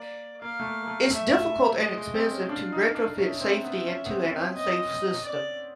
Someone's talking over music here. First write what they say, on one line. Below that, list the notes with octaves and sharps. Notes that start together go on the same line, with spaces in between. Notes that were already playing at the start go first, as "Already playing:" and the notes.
It's difficult and expensive to retrofit safety into an unsafe system.
Already playing: A#3 D5
A#3 F5
A3
A#3
A#3
A3
A3 E5
G#3 D#5
G#3
C4
C#4
D4 F5
D#4
D4
C#4 E5
C4
B3
C#4
B3
C4
C#4
C4
B3 D#5
D5